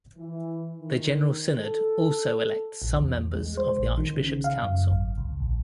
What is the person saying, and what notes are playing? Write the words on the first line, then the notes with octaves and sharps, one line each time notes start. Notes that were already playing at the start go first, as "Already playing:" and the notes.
The General Synod also elects some members of the Archbishops' Council.
E3
D#3
A4
A#1
E2
G#3
C5
A#1
D#3
C#3
F5
F#2
G#1
C#2
A#1